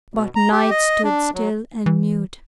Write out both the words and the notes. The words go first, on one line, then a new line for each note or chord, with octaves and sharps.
But Night stood still and mute.
B2
A#5
G4
D#5
D4
F#3
E3